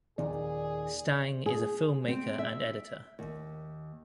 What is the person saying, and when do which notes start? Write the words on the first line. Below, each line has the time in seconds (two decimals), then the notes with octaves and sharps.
Stang is a filmmaker and editor.
0.18 D#2 A#2 D#3 G#4 D5
1.46 G#4
2.08 C4
2.39 E5
3.19 D#2